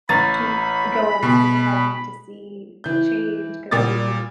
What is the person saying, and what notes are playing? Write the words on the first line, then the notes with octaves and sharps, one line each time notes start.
keep going at it if I want to see the change 'cause I didn't
A1 A#5 B5 A6
B2
E3 G6
A#2 G3 D6 D#6 A6